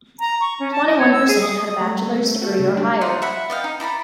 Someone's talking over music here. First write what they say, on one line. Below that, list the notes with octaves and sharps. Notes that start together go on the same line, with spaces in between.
Twenty-one percent had a bachelor's degree or higher.
A#5
C#6
C#4
A5
D#5
C#5
E6
G#4
D#6
G3 A3
F#4
C#3 G3
G3 D4
D#4 F4 D5 F#5
E5 F#5 B5
D5 D#5 F5 G5
D#4
E4 D5 A#5 B5